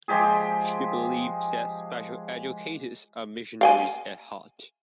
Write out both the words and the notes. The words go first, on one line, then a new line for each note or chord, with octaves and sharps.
She believed that special educators are missionaries at heart.
F3 G#3 G4 G#4
F5 G5 G#5